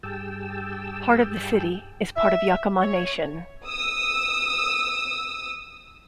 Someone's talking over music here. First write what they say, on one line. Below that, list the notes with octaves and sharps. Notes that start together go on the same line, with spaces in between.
Part of the city is part of the Yakama Nation.
G2 G4 G#4 G5 A5 E6
E5
C#5
D#6 E6